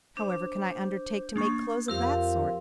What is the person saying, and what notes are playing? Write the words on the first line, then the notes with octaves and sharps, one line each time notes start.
'However can I undertake to make clothes of that sort?
D4 C5
A#3 D4 C#6
F2 F3 F4 G4 A#4 F5 E6